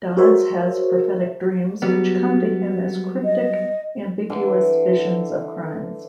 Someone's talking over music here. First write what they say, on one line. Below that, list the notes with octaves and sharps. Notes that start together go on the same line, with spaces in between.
Dodds has prophetic dreams which come to him as cryptic, ambiguous visions of crimes.
F#4 G#4 A#4 C5 C#5 E5
F#3 G3 B3
D#5
D3 E3